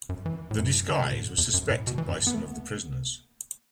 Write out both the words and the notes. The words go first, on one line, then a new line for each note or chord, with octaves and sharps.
The disguise was suspected by some of the prisoners.
F#2
E3
A2
F#2
D3
B2
A2
F#2
E2
F#2
A2
B2
E3
F#2
B3
A3